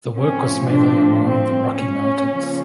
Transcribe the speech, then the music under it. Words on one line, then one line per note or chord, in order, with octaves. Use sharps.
The work was mainly along the Rocky Mountains.
A2 F3 A3 C4 C#4
C4 D4
C4
C#4
C#3 F3 A#3